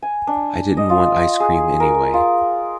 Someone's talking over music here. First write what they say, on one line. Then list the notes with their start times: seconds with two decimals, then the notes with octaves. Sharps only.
I didn't want ice cream anyway.
0.02 G#5
0.27 D4
0.77 D#5
0.90 F4
1.40 G#4
1.80 A#4
2.14 F4